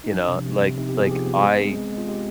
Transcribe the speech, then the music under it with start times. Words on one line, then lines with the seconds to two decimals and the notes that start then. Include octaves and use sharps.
You know? Like like, I,
0.04 D#4
0.13 F3 D4
0.28 C3
0.45 C3
0.61 C3
0.78 C3 D#4
0.89 G4
0.94 B3
0.99 G#4
1.11 F3 G4
1.19 F4
1.26 B3
1.35 G4
1.43 G#3 G#4
1.59 C4
1.76 G#3
1.93 G#3 F4
2.08 G#3 G4